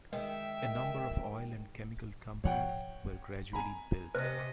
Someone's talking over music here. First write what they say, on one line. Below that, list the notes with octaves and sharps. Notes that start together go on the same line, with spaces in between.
A number of oil and chemical companies were gradually built.
D#3 G#3 E5 G5
G#2 F3 C#5 F#5 G5
G#5 A#5 B5
C3 C5 D#5